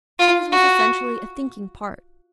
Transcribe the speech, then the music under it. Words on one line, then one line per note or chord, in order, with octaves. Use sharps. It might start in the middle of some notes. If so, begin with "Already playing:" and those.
His was essentially a thinking part.
F4
F#4